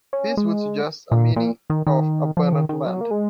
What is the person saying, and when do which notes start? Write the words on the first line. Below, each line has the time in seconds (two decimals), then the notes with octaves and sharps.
This would suggest a meaning of "abundant land".
0.13 C#4
0.37 G#3
1.12 A#2
1.36 A#2
1.70 D#3
1.87 D#3
2.37 F3
2.53 D#3
2.69 D#3
2.86 F#3
3.01 A#3
3.11 G#3